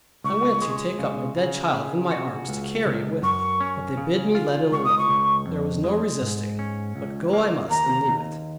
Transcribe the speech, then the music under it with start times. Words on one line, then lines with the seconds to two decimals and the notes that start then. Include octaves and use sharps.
I went to take up my dead child in my arms to carry it with me, but they bid me let it alone; there was no resisting, but go I must and leave it.
0.24 C#2 C#6
0.62 G#3
0.99 C#3
1.37 C#3
1.73 C#3
2.11 F#4
2.49 C#2
2.86 C#2
3.22 F#2 C#6
3.60 C#4
3.97 C#3
4.35 F4
4.71 C#2 C#6
4.85 D#6
4.98 C#6
5.09 C#2
5.47 F2
5.84 G#3
6.21 G#2
6.59 C#4
6.96 C#2
7.33 A#3
7.70 D#2 A#5
8.08 D#2